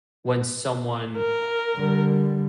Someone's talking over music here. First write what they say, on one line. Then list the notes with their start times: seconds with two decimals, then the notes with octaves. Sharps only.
when someone
1.18 A#4
1.75 D3 G3